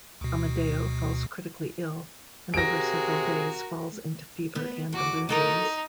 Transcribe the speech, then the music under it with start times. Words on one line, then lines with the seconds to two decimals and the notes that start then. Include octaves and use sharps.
Amadeo falls critically ill, and over several days falls into fever and delusions.
0.21 D2 B2
2.54 C3 F#4 G#4 A#4 A#6 D7
4.55 B3
4.92 E2 F#4 D6
5.29 D#4 F#4 A4 A#4